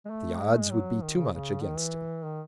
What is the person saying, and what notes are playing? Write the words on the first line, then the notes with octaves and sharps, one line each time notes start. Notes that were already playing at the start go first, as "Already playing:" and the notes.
The odds would be too much against him.
G#3
A3
G#3
A3
G#3
F#3
D#3
C#3
C#3
D#3
E3
D#3